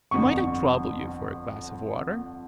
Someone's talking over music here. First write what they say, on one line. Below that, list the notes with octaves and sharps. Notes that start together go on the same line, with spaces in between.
"Might I trouble you for a glass of water?"
G1 F2 D3 C#6